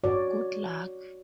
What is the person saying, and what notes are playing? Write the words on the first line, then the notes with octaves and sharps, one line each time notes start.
Good luck?
F#4 C#5 D5